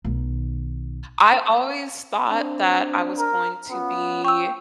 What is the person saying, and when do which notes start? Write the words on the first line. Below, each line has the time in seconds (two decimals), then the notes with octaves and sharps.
I always thought that I was going to be,
0.05 B1 D#3
2.27 C4 D4
3.19 A#4
3.70 B3 C#4 F4
4.24 G5 C#6 E6